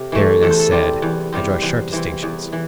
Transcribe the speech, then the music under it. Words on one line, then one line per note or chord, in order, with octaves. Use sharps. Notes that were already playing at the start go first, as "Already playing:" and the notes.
Herein, as said, I draw sharp distinctions.
Already playing: C3 A4
E3 A3
E2 A4
C5
A4
C3 G3 C4
E2
C3 G3 C4
E2 C5
E3 C4
E2
E3